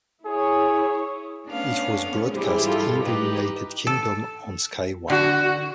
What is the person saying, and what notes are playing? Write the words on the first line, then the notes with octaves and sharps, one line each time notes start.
It was broadcast in the United Kingdom on Sky One.
E4 G#4 C#5
A3 B3 C#4 D4 F5
G#2 E3 G3 E4 G4 G#4 C5
F4 A4
D#4 G4 B4
A4
D3 F#4